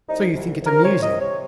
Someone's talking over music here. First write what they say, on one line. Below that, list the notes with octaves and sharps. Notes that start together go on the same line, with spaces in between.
"So you think it amusing?"
C2 D#4
C2
C2
A#4
C3 C#5
D#5
C3
C#5